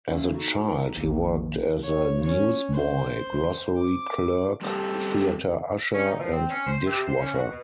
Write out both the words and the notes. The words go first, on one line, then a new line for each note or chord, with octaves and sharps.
As a child, he worked as a newsboy, grocery clerk, theater usher, and dishwasher.
C#4 E5 F5
D#4 F#4 A4
A#4
A#1 D#3 E3 A#3
F3
C#5
C#4 C#5
C5
D6
G3 C4 G4 A4
C#4
D#4
F3
C4
C#4
C5
C3
C5
C#4
F#4
B2